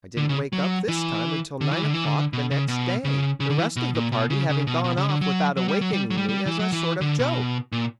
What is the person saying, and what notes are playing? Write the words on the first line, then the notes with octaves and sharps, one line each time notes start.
I didn't wake up this time until nine o'clock the next day, the rest of the party having gone off without awakening me as a sort of joke.
D3
C#3
F#3
E3
D3
E3
D3
E3
D3
B2
C#3
B2
C#3
C#3
D3
E3
B2
A#2
B2
C#3
C#3
B2
B2
C#3
D3
F#3
F#3
G3
F#3
G3
F#3
G3
G3
E3
F#3
E3
D3
B2
A#2